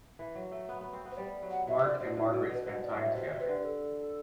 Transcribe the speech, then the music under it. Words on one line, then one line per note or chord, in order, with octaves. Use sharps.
Mark and Margaret spend time together.
E3
F#3
A3
B3
B3
C4
B3
C5
G3 D5
F#3
F#5
E3 E5
C3
D3 D5
B2 C5
A2 E4
F#4
B2
B2 B4
B4
B2 C5
D5
A2 E5
B2
C3 C5
C3
B4
D3
B4
A4